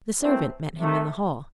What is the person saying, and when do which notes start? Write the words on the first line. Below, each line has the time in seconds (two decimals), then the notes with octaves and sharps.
The servant met him in the hall.
0.20 F#2 E3 A3 C4
0.78 C3 D#3 A3